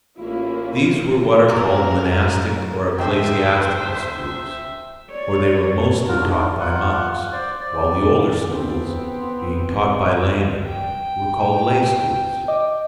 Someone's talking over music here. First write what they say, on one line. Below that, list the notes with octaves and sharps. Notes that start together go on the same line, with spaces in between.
These were what are called monastic or ecclesiastical schools, for they were mostly taught by monks; while the older schools, being taught by laymen, were called lay schools.
A1 A#3 C#4 E4 F4
F#2 C#3 F#3 A#3 A#4
E2 B2 D3 C5 E5 G5
C#5 D5
F4 F#4 A#4
G#3 D4 D#4
F4 F#5
C5 D5
D5
B3 C4
G5
D#5 D6